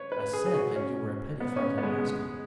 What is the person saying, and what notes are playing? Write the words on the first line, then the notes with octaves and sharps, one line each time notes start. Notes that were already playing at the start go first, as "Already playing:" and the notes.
I said that you were a pettifogging rascal.
Already playing: B4 C#5
B4
G#4
G#4
F#4
C#4
B3
C#4
B3
B3
G#3